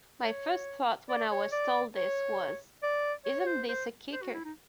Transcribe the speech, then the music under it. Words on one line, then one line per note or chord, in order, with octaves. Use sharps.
My first thought when I was told this was 'Isn't this a kicker?
C#5
D5
C#5
D5
C#5
D5
C#5
C#5
C5
C5
C5
F#4
E4
D#4